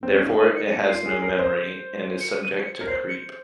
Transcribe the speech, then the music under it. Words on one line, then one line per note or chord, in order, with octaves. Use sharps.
Therefore, it has no "memory" and is subject to creep.
C4
C#4
D#4
D#7
C#7
D#7
C#7
F4 C7
G#4
A#4
C5
C#7
D#7
C#7
A#4
C5 C7
C#7